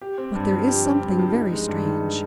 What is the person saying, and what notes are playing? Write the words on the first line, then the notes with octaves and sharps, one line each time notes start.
But there is something very strange.
G4
C4
G2
F3
G4
C4
G2
F3
D#4
G#3
G2
D#3
D#4